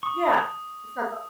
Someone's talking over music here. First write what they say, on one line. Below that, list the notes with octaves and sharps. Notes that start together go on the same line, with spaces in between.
Yeah, it's the government,
C#6 D#6